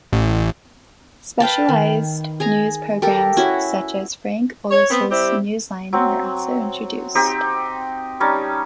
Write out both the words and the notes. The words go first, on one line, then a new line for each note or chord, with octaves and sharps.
Specialized news programmes such as Frank Olise's Newsline were also introduced.
A1
B4 F5 G5 A5
D#3
G#4 G#5 A#5
G4 A4 A#4
C#4 E4 F#4
C#5
B3 C4
G3 C4 E4 G4
F#3 C4
C4 D#4 G4
G3 C#4 D#4 A5